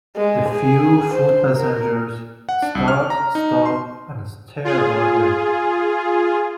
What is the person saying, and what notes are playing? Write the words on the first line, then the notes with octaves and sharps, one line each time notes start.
The few foot-passengers start, stop, and stare about them.
G#3
G#4
C5
A#4
F#5
D4
C2
F6
A#5
D#4
C6
F4 G#4